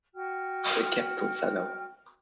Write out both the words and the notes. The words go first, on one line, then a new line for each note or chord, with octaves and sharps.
A capital fellow!
F#4 G5 F6